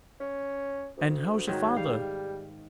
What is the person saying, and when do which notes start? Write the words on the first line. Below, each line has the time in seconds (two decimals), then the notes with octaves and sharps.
"And how's your father?"
0.20 C#4
0.97 D2
1.47 G#2 D#3 F#3
1.77 G3 F5